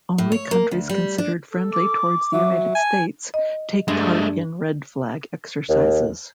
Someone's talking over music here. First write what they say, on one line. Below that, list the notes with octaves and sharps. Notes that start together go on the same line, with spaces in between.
Only countries considered friendly towards the United States take part in Red Flag exercises.
A2
C#5
A#3
D2
G3
D4
A4
D6
F#3 E5
G#5 A5
D#5
G2 G#3 A3
D#2